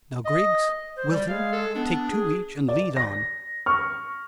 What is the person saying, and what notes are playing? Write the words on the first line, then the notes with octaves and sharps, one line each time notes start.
Now, Griggs--Wilton; take two each, and lead on.
D#5
C5
G3 D5
G#3 F5
A4
B3 D4
G#4
D5
A#6
C#6 F6